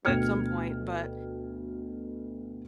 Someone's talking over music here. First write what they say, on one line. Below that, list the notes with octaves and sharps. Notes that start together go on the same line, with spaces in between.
that some point, but,
D2 B2 G5 F6 G#6 C#7